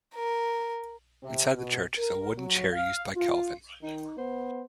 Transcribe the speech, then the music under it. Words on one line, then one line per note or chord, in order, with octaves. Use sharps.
Inside the church is a wooden chair used by Calvin.
A#4
C3
B2
A#4
F#3
F5
F4
D#3 D#4
B3 C5